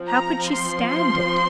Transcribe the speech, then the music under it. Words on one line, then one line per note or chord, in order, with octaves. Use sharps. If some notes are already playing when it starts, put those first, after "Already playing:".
How could she stand it?
Already playing: F3 C4
A#5
C6
C6